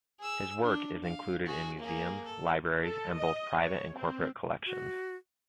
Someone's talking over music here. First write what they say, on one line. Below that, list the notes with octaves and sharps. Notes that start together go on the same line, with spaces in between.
His work is included in museums, libraries, and both private and corporate collections.
G#4 E6
D4
F5
F#4 G#4
A#3 G#4
A4
A4
D#5
C#5
C4
F#4